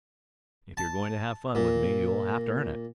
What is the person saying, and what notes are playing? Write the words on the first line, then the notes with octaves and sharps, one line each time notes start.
If you're going to have fun with me you'll have to earn it.
A5
A#2